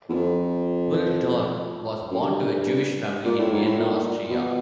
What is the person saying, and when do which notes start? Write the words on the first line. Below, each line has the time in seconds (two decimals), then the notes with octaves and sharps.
Bluhdorn was born to a Jewish family in Vienna, Austria.
0.09 E2
0.13 F2
2.11 F#2
2.21 G2
3.25 A#2
3.38 A2
3.52 G#2
3.65 A2
3.79 A#2
4.30 B2